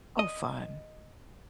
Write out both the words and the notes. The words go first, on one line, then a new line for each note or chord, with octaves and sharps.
Oh, fun.
D#5